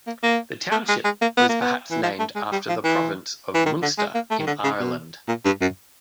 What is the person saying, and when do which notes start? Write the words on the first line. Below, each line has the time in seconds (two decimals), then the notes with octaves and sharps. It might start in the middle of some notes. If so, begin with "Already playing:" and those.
The township was perhaps named after the province of Munster in Ireland.
0.07 A#3
0.23 A#3
0.71 A3
0.88 G#3
1.04 G#3
1.21 A#3
1.37 B3
1.49 A#3
1.61 B3
1.91 E3
2.03 F3
2.19 A3
2.35 G#3
2.52 G3
2.68 F3
2.84 E3
3.54 E3
3.66 D#3
3.82 D3
3.98 G#3
4.15 A#3
4.31 A3
4.39 D#3
4.47 D3
4.64 C#3
4.79 B2
5.28 A#2
5.45 G2
5.61 F#2